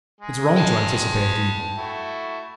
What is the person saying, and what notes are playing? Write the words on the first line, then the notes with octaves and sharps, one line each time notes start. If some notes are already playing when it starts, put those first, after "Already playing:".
'It's wrong to anticipate evil.
G#3 G#4
G5 A5
A3 E4 F#4